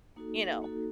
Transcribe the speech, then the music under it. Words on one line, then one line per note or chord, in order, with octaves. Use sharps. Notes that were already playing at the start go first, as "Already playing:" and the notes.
You know?
A#3 D#4 F#4 A4
A#3 D#4 F#4 A4